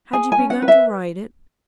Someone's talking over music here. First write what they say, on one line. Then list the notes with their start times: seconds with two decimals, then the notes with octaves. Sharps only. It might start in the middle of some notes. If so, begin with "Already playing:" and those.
Had you begun to write it?
0.13 G#4 G#5
0.32 G#5
0.38 C#4
0.50 F#5
0.62 B4
0.68 E5